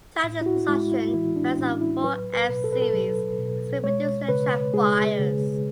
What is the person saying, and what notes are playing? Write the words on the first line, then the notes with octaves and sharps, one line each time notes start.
Throughout its production, variants of the Ford F-Series has been produced to attract buyers.
A2
E4
F#4
G#3 E4
E4
E3 E4
D4
A2 C#4
E4
F#3 B4
B4
B2
A4
B4
A4
F#3
B2
G#3 C#5
C#3 B4
G#3 G#4
C#3